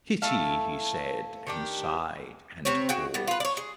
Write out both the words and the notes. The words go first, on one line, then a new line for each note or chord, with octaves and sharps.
"Pity!" he said, and sighed and paused.
A3 E4 A4 F5
D#3 D4 G4
C3 C4 B4 C#5
F#4 G#4 G5
G3 B3
F4 B4
C#5 D5
G#4